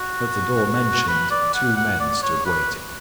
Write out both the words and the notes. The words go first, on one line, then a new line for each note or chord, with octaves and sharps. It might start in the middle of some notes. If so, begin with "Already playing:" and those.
At the door mentioned two men stood waiting.
Already playing: F#4
B4
D5
F#5
F#5
D5
C#5
B4